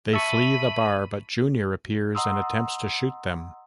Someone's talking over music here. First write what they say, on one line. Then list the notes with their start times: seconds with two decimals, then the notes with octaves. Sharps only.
They flee the bar, but Junior appears and attempts to shoot them.
0.13 E5 A5 B5 C#6 D#7
2.15 D#5 F#5 A#5 C6 D#6 E6